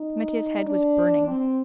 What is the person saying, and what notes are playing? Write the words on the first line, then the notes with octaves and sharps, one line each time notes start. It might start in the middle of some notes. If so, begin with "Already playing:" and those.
Mitya's head was burning.
Already playing: D#4
D4
C4